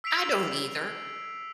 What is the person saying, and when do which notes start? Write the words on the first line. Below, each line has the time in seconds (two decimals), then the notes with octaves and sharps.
I don't either.
0.04 E6 B6 C7 D7 F7